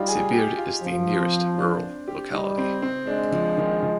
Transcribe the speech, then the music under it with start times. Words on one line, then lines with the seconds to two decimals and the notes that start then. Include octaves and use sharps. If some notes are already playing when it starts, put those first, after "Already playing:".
Sibir is the nearest rural locality.
Already playing: G3 D#4 F4
0.08 G#4
0.33 G4
0.58 F4
0.83 F3
1.20 C4
1.58 D4
2.08 G4
2.32 G3 D#4
2.58 C4
2.82 C4
3.07 G#3 D4
3.32 F3
3.57 D#3
3.83 F3